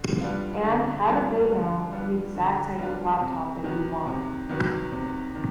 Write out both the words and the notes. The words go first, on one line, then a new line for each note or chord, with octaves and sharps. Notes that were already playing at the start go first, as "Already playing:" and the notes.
And, how did they know the exact type of laptop that you want?
Already playing: D3
G3 B3 D4 F4
D3
G3 B3 D4 F4
D3
G3 B3 D4 F4
D3
G3 B3 D4 F4
C3
D#3 F#3 B3
C3
D#3 F#3 B3
C3
D#3